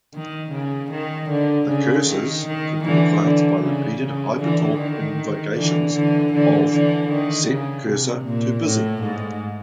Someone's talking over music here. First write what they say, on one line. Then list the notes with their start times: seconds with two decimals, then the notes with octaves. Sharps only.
The cursors could be advanced by repeated HyperTalk invocations of "set cursor to busy".
0.15 D#3
0.53 C#3
0.92 D#3
1.30 D3
1.68 C#3
2.08 D#3
2.47 D#3
2.84 D3 E3
3.23 D3
3.63 C#3
4.00 C#3
4.40 D3 E3
4.78 D#3
5.55 D3 E3
5.94 D3 E3
6.33 D3 E3
6.72 D3 E3
7.11 D#3
7.49 C#3
7.87 C3
8.26 A#2
8.65 A2
9.03 G#2